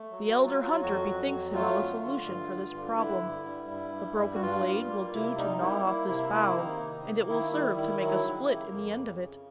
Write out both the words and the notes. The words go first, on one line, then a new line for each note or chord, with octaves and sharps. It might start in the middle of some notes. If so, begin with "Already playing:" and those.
The elder hunter bethinks him of a solution for this problem. The broken blade will do to gnaw off this bough, and it will serve to make a split in the end of it.
Already playing: A3
F#3
F#4
F#3
F4
F#3
F4
F2 F#4
F2
F#3
A3 F4
D3
D3
G2
G2
D3
D3 E4
G2
G3
G2
G3
G2
F#4
G2 F4
G3
A#3
C3 E4
G3 D#4
A#3 E4
A#3 E4
C3 E4
A#3 E4
D#3 D#4
C3
A#3
D#3 E4
G3 E4
D#3 E4
F#3 E4
C#3
A#3
F2
C#3
C#3